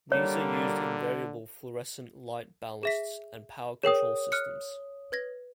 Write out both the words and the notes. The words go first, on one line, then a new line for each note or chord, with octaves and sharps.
These are used in variable fluorescent light ballasts, and power control systems.
D3 G3 A#3 C#5
G#4 E5 B6
G#4 A#4 C#5 G5 D#6
F6 F#6 C#7
B4 G#6 A#6